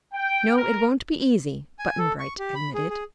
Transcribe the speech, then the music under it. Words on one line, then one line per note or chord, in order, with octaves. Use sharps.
"No; it won't be easy," Button-Bright admitted.
G5
A#4
G#5
A4
C#6
G4
B5
G#4
G#4